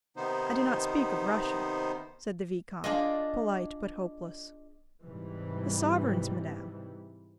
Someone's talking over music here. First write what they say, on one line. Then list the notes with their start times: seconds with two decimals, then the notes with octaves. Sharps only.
I do not speak of Russia," said the vicomte, polite but hopeless: "The sovereigns, madame...
0.17 C3 D#3 B3 D#4 C5
2.84 D4 F4 G#4 D5 D#5
5.03 G#2 C3 E3 G3